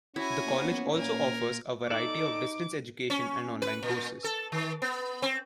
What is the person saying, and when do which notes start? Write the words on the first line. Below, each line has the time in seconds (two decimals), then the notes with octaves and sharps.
The college also offers a variety of distance education and online courses.
0.16 C#4 E4 F#4 G#5
0.45 A#3 B3
0.95 A#2 A#4 G#5
1.91 D#4 A4 D5 D6
3.10 C#4
3.62 B4
3.83 A#2
4.24 A4
4.52 D#3
4.82 B3
5.22 C4